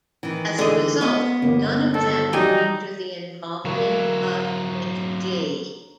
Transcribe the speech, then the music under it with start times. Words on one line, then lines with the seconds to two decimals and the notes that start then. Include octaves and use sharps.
As a result, none of them will feature the involvement of McG.
0.23 D#3 E3
0.59 D3 G#4 D#5
1.01 B3 D#5
1.42 G1 A#3
1.94 D#3 A4
2.33 E3 F#3 G3 D#4 G5 G#5
3.65 F#3 E4 A#4 C#5 F5